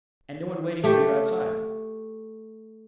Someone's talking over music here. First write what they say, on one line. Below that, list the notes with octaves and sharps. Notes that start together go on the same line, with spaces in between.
"And no one waiting for you outside?"
A3 G4